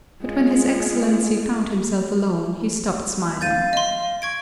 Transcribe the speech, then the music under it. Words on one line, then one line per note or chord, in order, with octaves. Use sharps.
But when his Excellency found himself alone he stopped smiling.
G#3 F4
F5 G6 A6 D#7
D#5 C6
C#6 G#6 D7